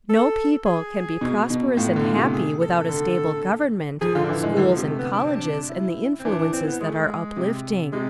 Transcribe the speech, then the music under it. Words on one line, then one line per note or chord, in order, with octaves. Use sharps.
No people can be prosperous and happy without a stable government, schools and colleges and the influences that are uplifting.
A4
G#4
B2
B2
A2 F4
D3 E4
F4
C3
G#4
A4
D3
F3 G#4
D3 F4
D4
E3 E4
G#3
D3 E3
F3
C3
A3
B3
D4
C4
D4
E4
C4
E3 D4
D4
C4
B3
G#3
A3
G#3
C3
C3 G#3